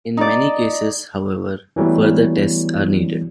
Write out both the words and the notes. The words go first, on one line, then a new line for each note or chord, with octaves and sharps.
In many cases, however, further tests are needed.
D#4 D5
E3 F#3 G3 A3 B3